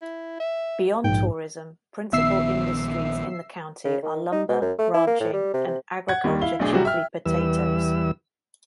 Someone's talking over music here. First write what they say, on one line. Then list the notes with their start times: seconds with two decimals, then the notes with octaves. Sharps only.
Beyond tourism, principal industries in the county are lumber, ranching and agriculture-chiefly potatoes.
0.02 E4
0.40 E5
1.04 A#1 G#2 G5
2.13 A#1 D#3 B3 E5 E6 C7
3.85 C#3
4.03 D#3
4.32 D#4
4.49 B2
4.62 F#2
4.79 A3
4.94 E4
5.07 A#3
5.20 A2
5.33 G3
5.53 C3
5.67 C3
6.08 F#5 G#6
6.24 D#2 D#3 G3
6.41 E4 F5 G7
6.59 B1 A3 D4 G#4
6.73 C3 F#3 G3 F#4
6.85 E5 G5 F6
7.26 E2 E3 G3 B4 E6